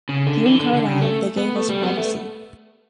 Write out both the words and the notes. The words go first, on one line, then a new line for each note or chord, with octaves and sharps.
Here in Carlisle they gave us privacy.
C#3
D3
E3
D3
D3
C#3
A3
B3
A3
G3
B3
A3